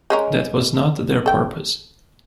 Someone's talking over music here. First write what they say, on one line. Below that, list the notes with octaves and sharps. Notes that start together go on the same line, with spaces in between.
That was not their purpose.
G#3 C#4 A#4
A4 G5